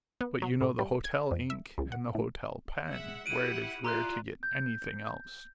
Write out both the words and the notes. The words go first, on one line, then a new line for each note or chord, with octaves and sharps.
But you know the hotel ink and the hotel pen, where it is rare to get anything else.
B3
F#3
A2
G3
G#6
F2
E5
C#2
F#5
A2
G#3 E5 F#5
E4 G4 F#5 D7 D#7
E4 F4 D5 A#5 C6 F#6
G6